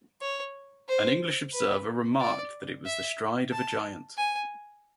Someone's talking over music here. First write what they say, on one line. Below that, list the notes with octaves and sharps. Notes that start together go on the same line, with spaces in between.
An English observer remarked that it was the stride of a giant.
C#5
C5
B4
D5
E5
A5
G#5